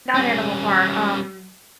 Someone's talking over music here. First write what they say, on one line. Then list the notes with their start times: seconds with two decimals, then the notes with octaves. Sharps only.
not Animal Farm, um
0.15 G3 C#4